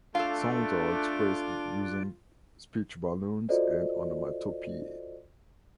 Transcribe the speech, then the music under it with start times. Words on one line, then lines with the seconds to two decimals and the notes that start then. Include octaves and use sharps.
Sounds are expressed using speech balloons and onomatopoeia.
0.15 A3 D4 F4 A4 F5
3.49 F4 F#4 A4 C5 D5 D#5